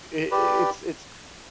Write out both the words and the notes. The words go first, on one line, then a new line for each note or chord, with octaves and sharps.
it's it's
G4 B4 D5